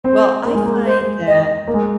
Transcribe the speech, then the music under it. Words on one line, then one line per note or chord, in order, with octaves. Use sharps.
Well, I find that
C4 C5
A#3
G#3
A#3
C5
D#5
A#3
G#3